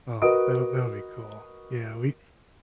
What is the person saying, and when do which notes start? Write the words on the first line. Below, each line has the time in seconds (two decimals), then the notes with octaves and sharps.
Oh, that'll that'll be cool, yeah, we
0.22 F#4 A#4 B4 D#5 D#6 D7